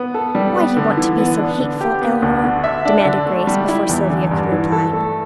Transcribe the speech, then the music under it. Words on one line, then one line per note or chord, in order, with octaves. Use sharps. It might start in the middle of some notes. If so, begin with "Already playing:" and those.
"Why do you want to be so hateful, Elinor?" demanded Grace, before Sylvia could reply.
Already playing: B3
A4
G3
B3
D3
E3
B3
D4
D3
G4
B3
D2
D3
E5
D4
D3
A3
G3
E4
E2
D3
G2
E3
A4
A3